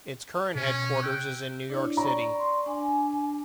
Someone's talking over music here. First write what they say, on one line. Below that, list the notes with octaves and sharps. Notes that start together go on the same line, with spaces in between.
Its current headquarters is in New York City.
B2 C#4
G5 E6 F#6
D4 E4 C#5 D5
D5 A#5 B5 C#6
C6
D4 G#5